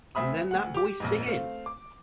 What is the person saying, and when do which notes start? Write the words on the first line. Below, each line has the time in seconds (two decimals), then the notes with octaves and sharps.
And then that voice singing!
0.15 D2 C4 E5 B5 D#6
0.51 D2 F#5
0.74 G4 D6
1.00 A#1 F2 G#2
1.27 A3 C4 F5
1.66 D6